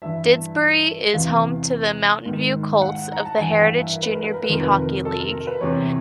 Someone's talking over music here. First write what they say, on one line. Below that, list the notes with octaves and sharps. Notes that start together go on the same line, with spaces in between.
Didsbury is home to the Mountainview Colts of the Heritage Junior B Hockey League.
G2 E3 E5
E2 C3 E3 F5
G#2 D#3
F#5
A#5
A5
G2 E3 G#5
G5
F5
E5
A#4
B4
A#4
B4
A#4
B4
F2 C3 D#3 A#4
B4
A#4
A4
A#4
A#4
B4
E2 C3 E3 C#5